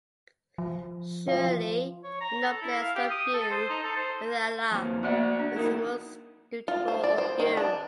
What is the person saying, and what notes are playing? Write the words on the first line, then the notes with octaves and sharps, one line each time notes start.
Surely the noblest of you with Allah is the most dutiful of you.
F3
F3
C#5
A#5
A4
E4
F5
G4
D#6
A4
C5
D#4
A4
C5
F2 A#3
A#3 B3 F#4 D5 E5 F#5
D4
A#3 D#4 E4 A#4
F4
C5
D5
C5
D#3
D4